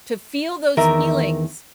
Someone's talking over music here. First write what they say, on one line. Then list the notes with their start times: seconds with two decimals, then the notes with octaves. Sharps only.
to feel those feelings.
0.77 E2 D#3 A#4 E5